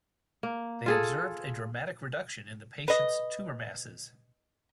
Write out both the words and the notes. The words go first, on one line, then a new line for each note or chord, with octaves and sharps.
They observed a dramatic reduction in the patient's tumor masses.
A#3
F4 G#4 A4
B4 D#5